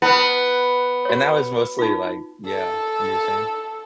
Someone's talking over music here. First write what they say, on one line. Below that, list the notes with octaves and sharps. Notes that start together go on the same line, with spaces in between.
And that was mostly, like Yeah, you were saying?
B3 E4 B4
F#4 C#5
D#4 F4
A4